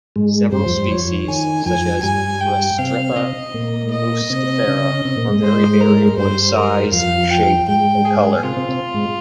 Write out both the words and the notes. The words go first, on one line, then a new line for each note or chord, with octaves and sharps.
Several species, such as "Restrepia muscifera", are very variable in size, shape and color.
G#2 G#3
G2 G3 C5
F2 F3
G2 G3
F2 F3 C#5
D#3 G#5
F2 F3 G#5
G2 G3 G#5
G5
C3 C4 F5
C3 C4 D#5
A#2 A#3
D#5
C3 C4
C#3 C#4
C3 C4
A#2 A#3
G#2 G#3
C5
A#4
G2 G3 C5
A#4
F2 F3 F5
G5
G#2 G#3 G5
G#4
A#3
C3 C4 F4
C3 C4
C3 C4
G#2 G#3